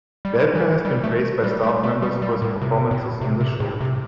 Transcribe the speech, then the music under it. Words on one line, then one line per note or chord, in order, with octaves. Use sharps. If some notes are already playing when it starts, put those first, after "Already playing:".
Welker has been praised by staff members for his performances on the show.
G3
E3
G3
A3
G3
A3
A3
G3
G3
A2
C3
A2
C3
C3
A2
C3